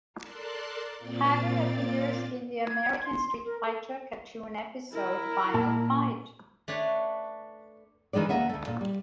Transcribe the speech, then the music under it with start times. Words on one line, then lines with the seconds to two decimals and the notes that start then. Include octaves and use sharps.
Haggar appears in the American "Street Fighter" cartoon episode "Final Fight".
0.19 A4 A#4 D5 A5 C6 F#6
0.97 A#2 A#3 C4 F4 D5 A6
2.65 G#6
3.02 C6
3.43 A#4
3.65 A4
4.92 E4 A#4
5.54 A#2 A5
6.68 A3 D4 B4 C#5
8.13 D#3 E3 G#3 D4 D5
8.29 D2 A#3 D#5 E5 F#5
8.49 D2 A3
8.67 A#2
8.81 G3